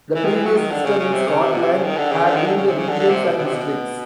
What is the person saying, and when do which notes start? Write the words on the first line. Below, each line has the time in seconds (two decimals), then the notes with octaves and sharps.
The previous system in Scotland had been the regions and districts.
0.15 E3
0.25 D#3
0.35 E3
0.46 F#3
0.57 D#3
0.71 D3
0.85 C#3
0.99 C#3
1.13 C3
1.27 C#3
1.41 C3
1.52 B2
1.62 C3
1.72 C#3
1.83 D#3
1.97 D3
2.12 C#3
2.25 D3
2.36 D#3
2.46 D3
2.56 C#3
2.67 C3
2.78 C#3
2.89 D3
2.99 D3
3.09 C3
3.24 B2
3.38 B2
3.46 C3
3.54 B2